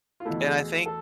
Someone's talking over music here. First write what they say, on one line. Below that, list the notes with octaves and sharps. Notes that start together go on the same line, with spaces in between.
And I think
F4
E2 B2 A3 E4
G#4
A4